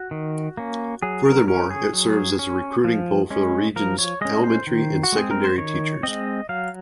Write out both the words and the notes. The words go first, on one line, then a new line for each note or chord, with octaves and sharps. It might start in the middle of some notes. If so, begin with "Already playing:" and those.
Furthermore, it serves as a recruiting pool for the region's elementary and secondary teachers.
Already playing: F#4
D#3
A#3 C#4
F#3 G#4
A#4
C#4 A#4
G#4
F#3
C#4
F3
G#3 C#4
F3 A#4
C#5
G#3 C#4 D#5
C5
D#3
F#4
G#3 C4 G#4
A#4
C5
D#3 C#5
G#3 C4 D#5
F#3 F5